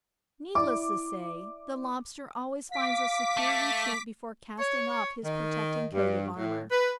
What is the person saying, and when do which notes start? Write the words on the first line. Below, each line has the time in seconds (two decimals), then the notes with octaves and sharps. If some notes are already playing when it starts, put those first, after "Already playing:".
Needless to say, the Lobster always finds a secure retreat before casting off his protecting coat of armour.
0.55 E4 D5 D6
2.72 F5 D6 B6
3.37 A3
4.59 C#5
5.24 D#3
5.92 G2
6.37 A2
6.70 B4